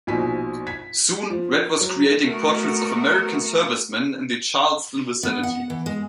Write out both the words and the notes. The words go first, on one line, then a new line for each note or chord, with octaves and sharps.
Soon, Rhett was creating portraits of American servicemen in the Charleston vicinity.
A#1 B2 F3 D#4 G#5 B6
G#6 B6
F3
F#3
A3 B3 F#4 A#4
B3
F#5
E3
G#3